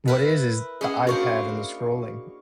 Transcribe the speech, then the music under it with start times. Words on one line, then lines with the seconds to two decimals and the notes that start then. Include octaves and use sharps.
What it is is the iPad and the scrolling.
0.08 E4 A#4 B4
0.81 C#4 E4 G#4 D#5 F#5
1.07 A#3 D4 F#4 C5 F5 C#6